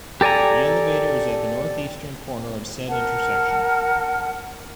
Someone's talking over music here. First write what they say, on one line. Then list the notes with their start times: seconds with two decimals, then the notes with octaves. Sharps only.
The elevator is at the northeastern corner of said intersection.
0.21 G4 A4 D5 G#5 A#5
2.88 A#4 F#5 A5